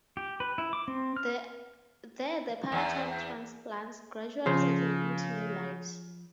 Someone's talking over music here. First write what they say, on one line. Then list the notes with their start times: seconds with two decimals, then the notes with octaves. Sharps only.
There the paratime transplants gradually settle into new lives.
0.17 G4
0.40 B4
0.58 E4
0.73 D6
0.88 C4
1.17 F6
2.72 E2
4.46 C#3 F3 C5